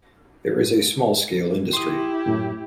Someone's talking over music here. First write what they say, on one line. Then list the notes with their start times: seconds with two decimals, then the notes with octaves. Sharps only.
There is small scale industry.
1.73 E4 G4 C6 D#6
2.26 F#2 A2